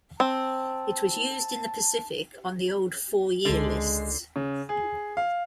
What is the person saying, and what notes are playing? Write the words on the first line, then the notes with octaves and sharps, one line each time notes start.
It was used in the Pacific on the old four-year lists.
C4 A5
C#2 D3 G#3 C7
C#3
G#4
F5